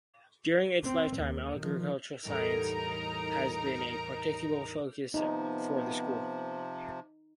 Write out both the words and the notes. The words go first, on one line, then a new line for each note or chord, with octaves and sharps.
During its lifetime agricultural science has been a particular focus for the school.
C4
D#2
D#3 F3
E2 A2 G3 D#4 A#4 A#5
C3 F3 B3 D#4